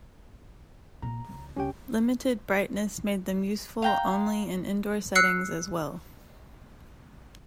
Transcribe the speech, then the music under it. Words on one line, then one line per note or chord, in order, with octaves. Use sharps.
Limited brightness made them useful only in indoor settings as well.
A#2 A#5
C#2
C#2 C#4 G4 G5
F5 G5 A#5
E6 F#6 C7 C#7